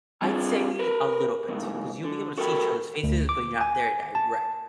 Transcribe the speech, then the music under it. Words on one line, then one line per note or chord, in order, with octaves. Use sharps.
I'd say a little bit, 'cause you'll be able to see each other's faces, but you're not there direct.
G3 C4 D4 F4 G#4
A#4 B4
D#2 G#2 C#3
D3
F#4 A4 A#4 G5 G#5 B5
D2
D6
G#5
A5